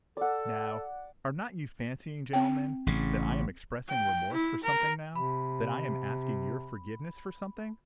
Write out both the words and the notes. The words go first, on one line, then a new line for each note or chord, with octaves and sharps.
Now, are not you fancying, gentlemen, that I am expressing remorse for something now, that I am asking your forgiveness for something?
A4 D5 F#5
C4 G5
A1 C#3
G5
E4
A#4
C3 B5